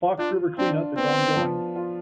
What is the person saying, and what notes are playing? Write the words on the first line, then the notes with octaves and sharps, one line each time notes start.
Fox River clean up is ongoing.
D4 F4
C4 D4
B3 C4
F3
F4